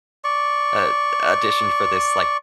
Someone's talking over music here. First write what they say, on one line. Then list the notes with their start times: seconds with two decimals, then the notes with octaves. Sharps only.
a addition for this like
0.24 D5 C#6